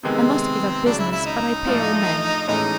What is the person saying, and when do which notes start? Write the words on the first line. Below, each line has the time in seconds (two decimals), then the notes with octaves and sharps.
I must give up business, but I pay all men.
0.03 C3 D#3 G#3 B3 C4
0.85 C#2 C#3 F#3 D4
0.99 E4
1.12 E4
1.26 D#4
1.67 A2 F3 A3 D4 F4
2.48 A2 E3 G#3 C#4 D#4 E4